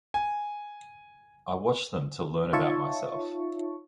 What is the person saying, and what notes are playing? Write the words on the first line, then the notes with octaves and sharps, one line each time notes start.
I watch them to learn about myself.
G#5
D#4 F4 C#5 E5 A5 C#6